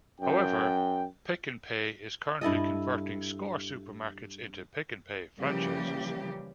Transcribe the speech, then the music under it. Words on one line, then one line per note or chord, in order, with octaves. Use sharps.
However, Pick n Pay is currently converting Score supermarkets into Pick n Pay franchises.
F#2 G5
G2 E4 A4 D#5
C#3 E3 F3 G3 A#3 G4